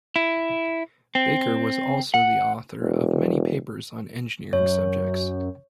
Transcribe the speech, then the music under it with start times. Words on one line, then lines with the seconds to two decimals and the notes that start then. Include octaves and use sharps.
Baker was also the author of many papers on engineering subjects.
0.16 E4
1.15 C4
2.14 F#5
2.81 E1
4.53 F#2 C#5